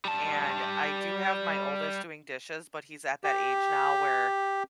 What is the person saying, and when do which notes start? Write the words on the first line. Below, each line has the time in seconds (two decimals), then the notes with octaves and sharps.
and I do have my oldest doing dishes, but he's at that age now where,
0.05 G3 A5
3.24 G4